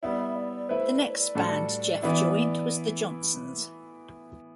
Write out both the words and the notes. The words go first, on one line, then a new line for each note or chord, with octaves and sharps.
The next band Jeff joined was The Johnsons.
G3 B3 E4 D5
E5
D5
D5
A3 E4 B4 C5
D5
C5
D5
A2 G3 D4 F#4 A4
E3 B3 E4